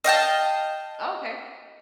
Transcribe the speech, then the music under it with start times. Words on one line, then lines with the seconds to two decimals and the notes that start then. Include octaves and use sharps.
Oh, okay.
0.04 D#5 F5 G5 A5